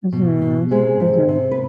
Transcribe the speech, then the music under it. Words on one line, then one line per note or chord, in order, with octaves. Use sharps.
Mhm. Mhm.
B2
B2
C3 G#3 G#4
C3
C3
B4